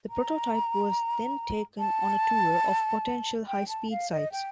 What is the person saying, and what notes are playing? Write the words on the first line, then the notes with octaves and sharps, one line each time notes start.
The prototype was then taken on a tour of potential high speed sites.
A#5
A5
G5
A5
F5
D#5
G5